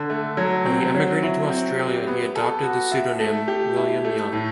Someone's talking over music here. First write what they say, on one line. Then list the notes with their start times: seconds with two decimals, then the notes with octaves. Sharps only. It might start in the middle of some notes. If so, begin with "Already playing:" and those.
When he emigrated to Australia he adopted the pseudonym William Young.
Already playing: D3
0.10 A3
0.37 F#3
0.66 C4
0.95 F#3
1.23 E4
1.50 C4
1.79 G4
2.07 B3
2.36 A4
2.63 F#4
2.92 E5
3.20 A3
3.48 G4
3.77 E4
4.05 A3
4.32 A2